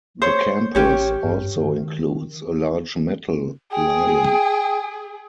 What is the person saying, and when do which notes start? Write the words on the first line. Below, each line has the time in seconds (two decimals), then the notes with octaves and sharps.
The campus also includes a large metal lion.
0.22 C5 C#5
0.75 A1 C#4 G4 C#5
1.24 G2
1.55 D#3
3.71 G#4 G5